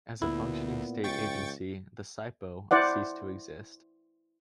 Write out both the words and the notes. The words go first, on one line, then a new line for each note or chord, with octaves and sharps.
As a functioning state agency, the SiPo ceased to exist.
D2 A#2 B3 E4
C#2 G5 C#6 A6
E4 C5 D5 F#5